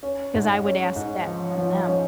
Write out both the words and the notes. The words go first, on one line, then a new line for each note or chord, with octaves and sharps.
'Cause I would ask that from them.
C#4
G#2
C#4
G#2
F3
F3
C#4